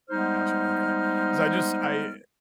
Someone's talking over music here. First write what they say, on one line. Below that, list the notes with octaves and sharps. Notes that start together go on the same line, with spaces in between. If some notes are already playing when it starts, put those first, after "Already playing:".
Gotcha, okay, 'cause I just I
G3 G#3 B3 D#4 C5 F6